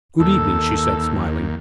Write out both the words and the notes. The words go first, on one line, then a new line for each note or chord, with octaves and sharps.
"Good-evening," she said, smiling.
D#2 A4